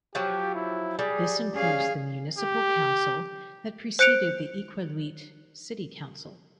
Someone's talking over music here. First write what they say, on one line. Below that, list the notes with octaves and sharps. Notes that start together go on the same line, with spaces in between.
This includes the municipal council that preceded the Iqaluit City Council.
F3 F#3 G4
E4
G3 G#4
C#4 G#4 F5
G4
C5 F#6 C#7 D7 F7